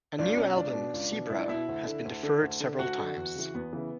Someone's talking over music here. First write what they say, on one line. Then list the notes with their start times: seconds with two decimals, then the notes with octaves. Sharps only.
A new album, "Zebra", has been deferred several times.
0.19 C#2 D4
0.37 B2 C#4
0.56 C#2 D4
0.74 B2
0.93 C#2
1.12 B2
1.30 C#2 E4
1.40 D4
1.49 B2 E4
1.68 D2
1.87 D3
2.05 D2
2.23 D3
2.42 D2
2.60 D3
2.79 D2 F#4
2.98 D3
3.16 E2
3.35 C#3 E3
3.54 E2 B3
3.73 C#3 E3